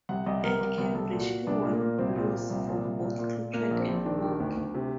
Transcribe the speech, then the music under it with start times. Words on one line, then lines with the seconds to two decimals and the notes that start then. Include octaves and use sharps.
At Cambridge he won Blues for both cricket and hockey.
0.09 C2 F#5
0.26 C2 D#5
0.43 C2 A#4
0.61 C2
0.78 C2
0.95 C2 A4
1.12 A#2
1.21 F#4
1.30 A#2
1.47 C2 D4
1.64 A#2
1.73 A#3
1.81 A#2
1.99 C2 C4
2.16 A#2
2.33 A#2
2.50 C2
2.67 A#2
2.85 C2
3.02 A#2
3.19 A#2
3.36 A#2
3.53 A#2 A#3
3.71 A#1
3.79 C4
3.88 A#1
4.05 D#3 D4
4.22 D#3
4.40 D2
4.57 D2
4.74 C3